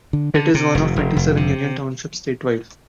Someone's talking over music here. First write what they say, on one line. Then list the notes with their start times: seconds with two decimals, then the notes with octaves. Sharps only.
It is one of twenty-seven Union Townships statewide.
0.13 D3
0.34 D3
0.54 C3
0.75 F1
0.96 F1
1.17 F1
1.37 C3